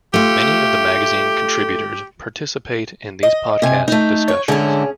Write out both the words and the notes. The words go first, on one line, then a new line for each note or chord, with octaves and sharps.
Many of the magazine contributors participate in these podcast discussions.
A3 F4 G4
D#5
C3 G#5
A3 D#4
C#5
G#2 D3 C#4 E4 G#4